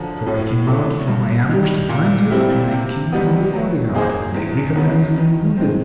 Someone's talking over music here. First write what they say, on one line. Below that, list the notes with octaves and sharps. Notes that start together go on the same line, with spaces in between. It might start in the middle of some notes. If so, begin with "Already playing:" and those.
So I came out from my ambush to find you, and I came upon your bodyguard, and they recognized me, and wounded me.
Already playing: F#2 D3 F3
A2
F#3 A3
G2
D#3 G3
A#2
G3 C4 E4 G4
C3
D#3 G3 B3
F#3
A#3 D#4 G#4 C5
E2
C#3 F#3 B3
D#3
G#3 C4